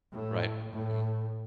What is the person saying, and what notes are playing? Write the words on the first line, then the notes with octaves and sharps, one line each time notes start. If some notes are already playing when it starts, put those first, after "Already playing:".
Right. Mhm.
A2
A2